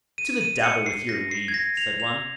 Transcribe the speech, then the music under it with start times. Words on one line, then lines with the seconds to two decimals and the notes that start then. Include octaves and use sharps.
'To the devil with your leave', said one.
0.18 D#7
0.41 D#7
0.64 C#7
0.86 C7
1.09 A#6
1.31 C7
1.48 G#6
1.54 A#6
1.77 F7
2.00 F7